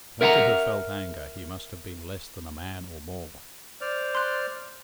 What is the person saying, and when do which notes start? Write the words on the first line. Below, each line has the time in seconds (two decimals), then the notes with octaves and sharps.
Not to have felt anger, he must have been less than a man or more.
0.21 A#4 E5 F#5 G#5 A#5
3.81 C5 D5 F6
4.15 C6 F#6